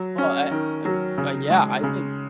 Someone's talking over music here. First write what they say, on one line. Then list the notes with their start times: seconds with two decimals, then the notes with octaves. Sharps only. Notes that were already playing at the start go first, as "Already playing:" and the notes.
Well, I I w I yeah, I think
Already playing: F#3
0.18 C#4
0.51 D#3
0.85 F#3
1.18 C#3
1.50 G#3
1.83 C#3